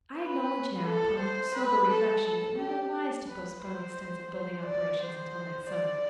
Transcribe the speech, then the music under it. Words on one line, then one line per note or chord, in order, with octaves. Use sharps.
I acknowledge now, upon sober reflection, that we were wise to postpone extensive building operations until next summer.
B4
A4
C5
B4
A4
A4
G4
B4
C5
C5
D5
C5
D5